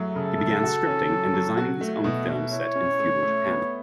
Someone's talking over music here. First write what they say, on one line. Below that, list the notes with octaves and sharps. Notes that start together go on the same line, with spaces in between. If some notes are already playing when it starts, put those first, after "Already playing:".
He began scripting and designing his own film set in feudal Japan.
Already playing: F#2 F#3 A3
C#3 A4
C#3
F#4
C#4
F#3
F#3
F#4
A3
B2
B2
E4 C#5
C#4
A3
A3
B3